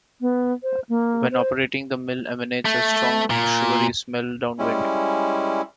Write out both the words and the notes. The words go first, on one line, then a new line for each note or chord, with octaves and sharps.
When operating, the mill emanates a strong sugary smell downwind.
B3
C5
A#3
C5
A3
A#2
G3 G#3 C#4 E4